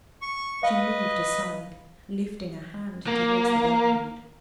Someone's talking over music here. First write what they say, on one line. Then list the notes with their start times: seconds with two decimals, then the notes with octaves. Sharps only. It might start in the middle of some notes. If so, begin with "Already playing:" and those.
She moved aside, lifting a hand toward the bell-cord.
0.22 C#6
0.63 B4 D#5 F5
3.07 A#3